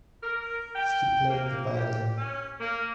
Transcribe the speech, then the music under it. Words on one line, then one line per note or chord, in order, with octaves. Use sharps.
He played the violin.
A#4
G5
A#3
G4
C#4
A#3